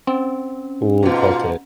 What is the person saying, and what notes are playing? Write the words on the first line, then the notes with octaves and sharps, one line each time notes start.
Ooh, poke,
C4 C#4
G#2 B2 F4